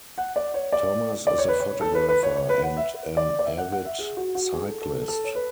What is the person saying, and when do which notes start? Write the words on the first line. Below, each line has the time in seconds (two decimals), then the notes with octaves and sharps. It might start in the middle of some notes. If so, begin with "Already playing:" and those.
Thomas is a photographer and an avid cyclist.
0.18 F#5
0.36 D5
0.54 C#5
0.72 D5
1.27 D5
1.38 C#5
1.48 B4
1.60 C#5
1.81 A4
1.95 B4
2.09 B4
2.23 C#5
2.36 C#5
2.49 B4
2.63 F#5
2.77 E5
3.17 D5
3.39 D5
3.45 E5
3.58 F#5
3.72 F#5
3.85 E5
3.99 G#4
4.17 F#4
4.35 F#4
4.53 G#4
4.67 A4
4.81 A4
4.95 A4
5.08 A4
5.24 C#5
5.35 B4